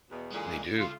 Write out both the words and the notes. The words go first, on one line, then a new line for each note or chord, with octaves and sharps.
They do.
E2 B2
A#2 D3 E3 G#3 G#4
D4
C#2 A3 F4